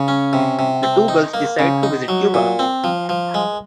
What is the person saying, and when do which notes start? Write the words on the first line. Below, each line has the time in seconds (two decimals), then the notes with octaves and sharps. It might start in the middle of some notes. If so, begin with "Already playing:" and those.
The two girls decide to visit Cuba.
Already playing: C#3
0.08 C#4
0.33 C3
0.59 C3
0.83 C4
1.08 D#4
1.34 A#3
1.59 C#3
1.83 D#4
2.08 F#3
2.34 A#2
2.59 C4
2.84 F3
3.09 F3
3.34 G#3